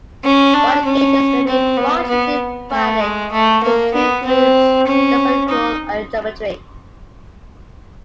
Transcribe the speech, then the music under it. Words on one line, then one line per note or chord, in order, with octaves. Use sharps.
Wire gauges may be broadly divided into two groups, the empirical and the geometric.
C#4
D4
C#4
C4
B3
B3
A3
G#3
A3
A#3
B3
C4
C#4
D#4